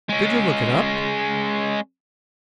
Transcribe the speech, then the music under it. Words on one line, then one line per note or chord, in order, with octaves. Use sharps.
"Did you look it up?"
G#3 C#4